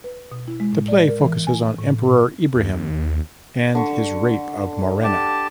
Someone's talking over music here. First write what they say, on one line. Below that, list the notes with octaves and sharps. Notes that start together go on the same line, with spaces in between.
The play focuses on Emperor Ibrahim and his rape of Morena.
B4
B2
E4
G#3
A2
D5
A#4
E3
G#5
A2
A#2
D#2
D3 C#6
G4 A5